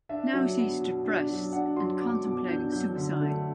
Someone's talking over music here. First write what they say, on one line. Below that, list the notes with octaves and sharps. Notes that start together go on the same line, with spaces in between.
Now he's depressed, and contemplating suicide.
D4 E5
F#3
B3
B2
D4
F#3
D4 F#5
F#3 C6
B3 D6
B2 D6
D4 G6
F#3 G6
D3
A3